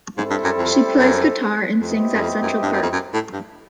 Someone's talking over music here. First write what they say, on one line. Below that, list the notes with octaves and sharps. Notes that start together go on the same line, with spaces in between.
She plays guitar and sings at Central Perk.
G#2 G3 C4 E4 A4 C5
G2
F#2
F2
F#2
F2 B3 E4 G4 C5 D#5
F#2
F2
F#2
G2
F#2
F2
F#2
A2
G2